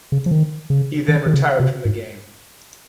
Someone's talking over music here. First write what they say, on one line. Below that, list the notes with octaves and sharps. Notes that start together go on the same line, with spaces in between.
He then retired from the game.
C#3
F3
D#3
C#3
D#3
D#3
C#3
C3
G#2